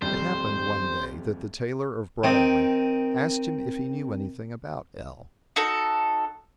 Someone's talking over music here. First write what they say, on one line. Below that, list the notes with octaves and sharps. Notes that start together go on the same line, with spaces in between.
It happened, one day, that the tailor of Briarly asked him if he knew any thing about L--.
D#1 F2 G3 C5
D#3 C4
D#4 F#4 A4